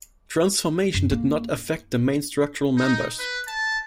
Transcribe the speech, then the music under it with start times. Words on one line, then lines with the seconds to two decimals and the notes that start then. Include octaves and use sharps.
Transformation did not affect the main structural members.
0.94 F#2
1.11 A#3
2.78 D#4
3.18 B4
3.48 A5